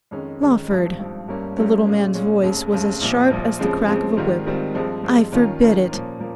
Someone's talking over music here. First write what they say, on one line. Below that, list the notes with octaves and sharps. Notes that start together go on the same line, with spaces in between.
'Lawford!' the little man's voice was as sharp as the crack of a whip; 'I forbid it.
F2 D#3 G#3 C#4
F2 D#3 G#3 C#4
G#1 G2 F3
G#1 G2 F3
G1 G2 G3 A#3 C#4
G1 G2 G3 A#3 C#4
A#2 G#3 C#4
A#2 G#3 C#4
F1 D#2 C#3
F1 D#2 C#3
A#1 A#2 F3
A#1 A#2 F3
D#2 C#3 F3 G#3 C4
D#2 C#3 F3 G#3 C4
G#2 D#3 G3 C4 F4
G#2 D#3 G3 C4 F4
G2 F3 G#3 C4
G2 F3 G#3 C4
D#2 D#3 A#3 C#4 F4
D#2 D#3 A#3 C#4 F4
A#2 F3 A#3 C#4
A#2 F3 A#3